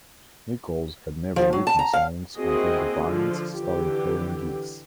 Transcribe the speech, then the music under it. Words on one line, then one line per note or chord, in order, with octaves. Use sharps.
Nicholls had never written songs until The Vines started playing gigs.
F3
F#3
A5
A#5
F5
A#3 C4 E4 F#4 G#4 D#5
D3 F3
D3 E3 G4